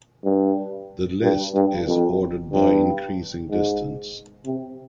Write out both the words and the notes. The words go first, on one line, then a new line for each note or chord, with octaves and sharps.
The list is ordered by increasing distance.
G2
G2
G2
F2
G2
G#2
C3